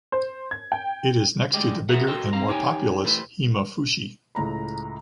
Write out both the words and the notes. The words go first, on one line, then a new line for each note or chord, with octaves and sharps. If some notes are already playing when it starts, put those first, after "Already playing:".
It is next to the bigger and more populous Himmafushi.
C5
G#6
G5
D2 G3 G#3 D5 D#5 G5
F#4 G#4 A#4 E5 F#5
F#4 A4 A#4 C5 D#5 G5
C4 F5 A#5
D#4 G4 C#5 G5 G#5
E3 G3 A3 B4 C5
C#2 A2 A#5 B5